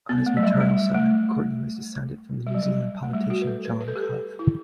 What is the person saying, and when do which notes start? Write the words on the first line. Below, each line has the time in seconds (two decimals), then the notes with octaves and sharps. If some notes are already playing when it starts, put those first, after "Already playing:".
On his maternal side, Courtney was descended from the New Zealand politician John Cuff.
0.09 B3
0.26 A3
0.37 F#3
0.43 G3
0.60 G3
0.77 G3
0.94 A3
2.47 G3
2.55 F#3
2.63 G3
3.03 A3
3.13 G3
3.30 F#4
3.42 B4
3.47 A4
3.65 B4
3.81 B4
3.88 A4
3.96 G4
4.02 A4
4.39 E4